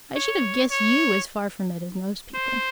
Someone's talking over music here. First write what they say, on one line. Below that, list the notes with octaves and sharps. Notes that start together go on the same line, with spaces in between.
I should have guessed you as far from it as most people.
C#5
C#5
C5